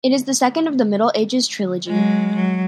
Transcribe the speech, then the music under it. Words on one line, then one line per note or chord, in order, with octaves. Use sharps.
It is the second of the "Middle Ages Trilogy".
F#3 G#3
F#3